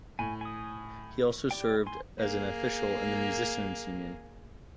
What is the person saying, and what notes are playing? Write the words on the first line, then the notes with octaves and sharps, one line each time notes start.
He also served as an official in the Musicians' Union.
A2 G#5
G#5 D#6
G4 D5 G5
G#5 C6
A#3 G#4